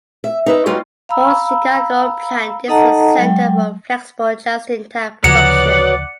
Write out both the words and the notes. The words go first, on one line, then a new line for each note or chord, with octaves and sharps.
Ford's Chicago plant is a center for flexible just-in-time production.
E5
D#4 B4 E5
F#3 G3 B3 D#4 F4 F#4
F5 A#5 B5 E6
D#4 A4 D#5 F#5 A5 A#5
F#3 G#3 G5
D2 C#3 F3 F#3 B3 D5 F#5 C#7